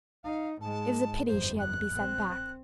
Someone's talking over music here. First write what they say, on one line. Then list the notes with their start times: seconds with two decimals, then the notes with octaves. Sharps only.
It was a pity she had to be sent back.
0.24 D#4 F5
0.61 G#2 G#3 A5
1.27 G1 F2 C5
1.59 F#6
1.91 A#1 C4